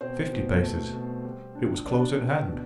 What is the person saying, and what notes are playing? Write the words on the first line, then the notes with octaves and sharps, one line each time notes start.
Fifty paces--it was close at hand!
B2 C4 C5
B2
A3
B2
G3
D4
B3 D4 D5
G3
B2